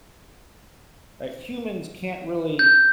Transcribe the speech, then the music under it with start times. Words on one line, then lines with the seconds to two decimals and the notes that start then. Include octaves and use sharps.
uh, humans can't really
2.59 G6